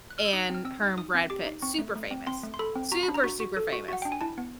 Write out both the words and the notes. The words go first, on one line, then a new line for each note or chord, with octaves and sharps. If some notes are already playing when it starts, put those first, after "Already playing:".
And her and Brad Pitt, super famous. Super, super famous,
F#6
F6
E6
D#4 D#6
C4 F6
C4 E6
D#4
D#4 D#6
C4
G4 D6
D#4
C4 C#6
A3
A3
C4
C4 C6
A3
C6
A4 B5
C4
F#4 A#5
B5
D4
A#5
F#4
F#4
A4
F#4
F#4 F#5
D4 G5
G#5
E4 A5
B3